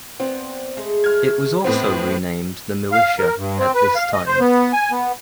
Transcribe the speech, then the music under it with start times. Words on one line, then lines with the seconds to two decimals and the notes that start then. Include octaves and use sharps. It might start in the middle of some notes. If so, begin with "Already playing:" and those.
It was also renamed the "Militia" at this time.
0.20 B3 C4 D5
0.76 G#3 A3 G#4
1.04 F6 G#6
1.64 A2 E3 B3 C4
2.92 F5
3.19 A#4
3.37 G2
3.58 C4
3.74 B4
3.96 F5
4.13 D#5
4.27 C5
4.40 B3
4.73 G#5
4.91 B3